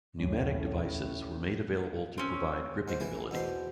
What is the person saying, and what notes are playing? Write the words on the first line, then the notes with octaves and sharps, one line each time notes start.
Pneumatic devices were made available to provide gripping ability.
A#1 D#2 A2 G#3 C#4
C4 C#4
G#2 C5
E3 E4
E2 B2 C5 C6